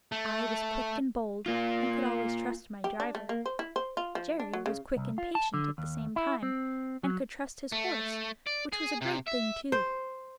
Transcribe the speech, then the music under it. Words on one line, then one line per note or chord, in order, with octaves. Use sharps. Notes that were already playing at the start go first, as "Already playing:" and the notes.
I was quick and bold and could always trust my driver; Jerry was quick and patient at the same time, and could trust his horse, which was a great thing too.
A3
A#3 F4
G4
D4
A3
A#3
C5
E4
C5
F4
F3
D4
F#3
C#3
C2
F4
A5
D3
D#2
E4
C4
F#3
A3
D5
G#4
C3
E5
C5